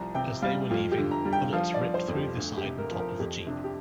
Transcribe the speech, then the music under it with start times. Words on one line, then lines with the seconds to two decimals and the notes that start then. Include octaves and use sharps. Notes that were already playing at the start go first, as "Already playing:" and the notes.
As they were leaving, bullets ripped through the side and top of the Jeep.
Already playing: C2 F3 A#5
0.15 C3 G5
0.42 G3 F5
0.71 F2 F4
0.92 G4
0.98 D3
1.11 A#5
1.25 G3
1.33 G5
1.53 F3 F5
1.74 D5
1.81 F3
1.94 C5
2.08 F2
2.16 G4
2.37 D2
2.57 G4
2.64 C3
2.78 A#4
2.91 F3
2.99 A#4
3.19 F2 G4
3.47 C3 D4
3.64 G4